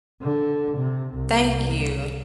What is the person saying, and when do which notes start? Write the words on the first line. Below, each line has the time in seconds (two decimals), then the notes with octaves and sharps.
Thank you.
0.22 D3
0.77 C3
1.14 C2